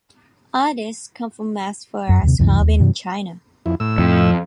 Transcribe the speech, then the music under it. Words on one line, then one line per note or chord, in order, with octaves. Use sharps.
Artists come from as far as Harbin in China.
F#2
D#2 C3
C#2 F#2 C3 E3
D#2
G2 C3 E3
F2 E4
A2 E6
F2